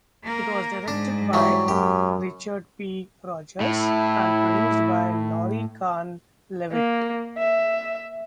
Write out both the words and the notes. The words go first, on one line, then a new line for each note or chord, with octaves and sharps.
It was directed by Richard P. Rogers, and produced by Laurie Kahn-Leavitt.
A#3 A#4
G#2 D4
E3 F#3 G3
F#2 G4
A2 E4
A#3
E5